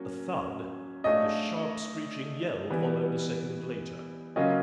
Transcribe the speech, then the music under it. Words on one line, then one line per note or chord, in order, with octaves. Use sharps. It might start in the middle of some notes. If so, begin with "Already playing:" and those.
A thud and a sharp screeching yell followed a second later.
Already playing: F#3 A#3 C#4
A3 D4 F4 G#4 C#5 D#5
E3 G3 B3
C#3 F#3 A#3 C#4 F4 D#5